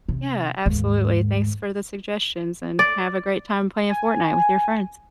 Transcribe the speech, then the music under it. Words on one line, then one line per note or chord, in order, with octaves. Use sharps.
Yeah, absolutely. Thanks for the suggestions and have a great time playing Fortnite with your friends.
C3
D#2 G#2
D5
G#5